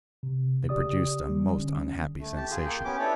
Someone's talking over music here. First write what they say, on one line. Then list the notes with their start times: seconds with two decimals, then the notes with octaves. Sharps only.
They produced a most unhappy sensation.
0.23 C3
0.69 C#3 G4 D5 D#6
1.29 G3
1.57 D3 C#4
2.20 A3
2.36 G4 A5
2.51 F4 G#4
2.65 A#3 G5
2.85 B3 C#4 G4 D6
2.99 D4 E4 A4 B4 C#5